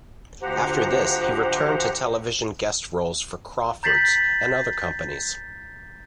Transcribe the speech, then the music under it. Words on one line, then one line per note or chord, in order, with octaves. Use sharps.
After this he returned to television guest roles for Crawfords, and other companies.
D2 F3 G4 C5 F#5 A#5
A#5 G6 A6 B6 C7 F#7